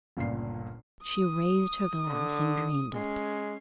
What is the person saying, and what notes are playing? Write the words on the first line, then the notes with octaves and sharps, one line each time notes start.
She raised her glass and drained it.
G1 C#2 A#2 A#3 D5 C7
D#6
D3
G#3 C#4 C7